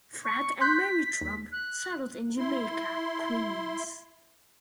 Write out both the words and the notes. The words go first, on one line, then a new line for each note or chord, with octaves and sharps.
Fred and Mary Trump settled in Jamaica, Queens.
C#6
C6 F#6 G6 B6
D#2
F#6
E4 C6